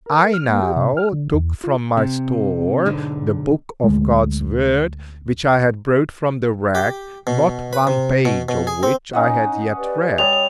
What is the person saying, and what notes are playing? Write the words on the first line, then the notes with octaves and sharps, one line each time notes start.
I now took from my store the Book of God's Word, which I had brought from the wreck, not one page, of which I had yet read.
A#4
F6
A#3
G4
C3
F6
D3
E2
F4
C3
B1 G#2 D3 D#4
D2 G#3
G4
B2
B4
C3
B2
B2
G#4
C4
C#4 D#4 D#5 F#5
G4 B4 D5
G3 C#5 A5 D#6 F7